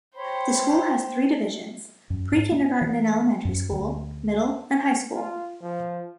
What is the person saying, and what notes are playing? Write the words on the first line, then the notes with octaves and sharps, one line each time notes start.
The school has three divisions: pre-kindergarten and elementary school, middle, and high school.
G4 C5 C#5 B5 C6
F#2
G#2
A#3
E3
F#2
D2
F4
F3